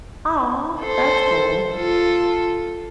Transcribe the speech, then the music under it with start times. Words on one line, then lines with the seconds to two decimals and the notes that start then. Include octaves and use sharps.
Aw, that's cool.
0.81 A4 C5
1.72 F4 A4